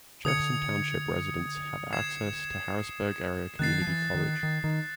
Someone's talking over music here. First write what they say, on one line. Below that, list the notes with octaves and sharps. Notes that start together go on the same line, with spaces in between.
Jefferson Township residents have access to Harrisburg Area Community College.
D3 D#6 G#6 C#7 F7
G#6 C7 E7
D#3 F#6 A6 C7
F3
E3
D#3
D#3
D#3